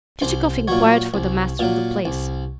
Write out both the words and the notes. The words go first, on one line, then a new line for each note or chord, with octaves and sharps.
Chichikov inquired for the master of the place.
C2 C5
A#2 F#3 C#5
C2
A#2 F#3
C2